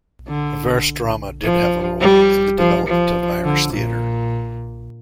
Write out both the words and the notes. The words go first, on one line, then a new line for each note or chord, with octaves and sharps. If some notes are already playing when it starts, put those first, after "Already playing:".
Verse drama did have a role in the development of Irish theatre.
D3
F3
G3
F3
F3
D3
A#2